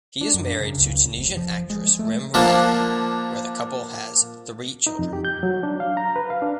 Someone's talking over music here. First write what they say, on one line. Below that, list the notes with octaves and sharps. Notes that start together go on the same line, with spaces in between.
He is married to Tunisian actress Rim Riahi where the couple has three children.
D4
F#2
C#3
C#2
F1
F3
G#3
A3
D3 F3 A#3 D4 A#5
D#4
F2
G4
G6
F#3
D4
F5
A#5
B4
F5
D4